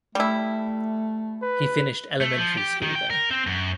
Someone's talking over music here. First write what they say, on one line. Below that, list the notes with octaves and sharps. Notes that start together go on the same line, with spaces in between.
He finished elementary school there.
G3 A3 E4
B4
A3
F3
G4
D#3
G5
A#4
C4
F#2